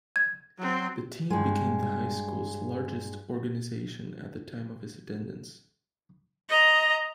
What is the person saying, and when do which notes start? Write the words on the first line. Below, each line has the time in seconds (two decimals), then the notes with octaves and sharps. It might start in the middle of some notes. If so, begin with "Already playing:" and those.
The team became the high school's largest organization at the time of his attendance.
0.16 G#6
0.58 F#3 C4
1.30 G2 G#3
6.49 D#5 A#5